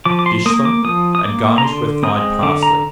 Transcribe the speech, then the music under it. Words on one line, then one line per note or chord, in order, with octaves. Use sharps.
Dish them, and garnish with fried parsley.
F3 D6
D6
C6
A#3 D#6
D6
F3 D#6
D#6
A#3 D6
A#5
D3 C6
G#3 C4 D#6
D3 D6
A#5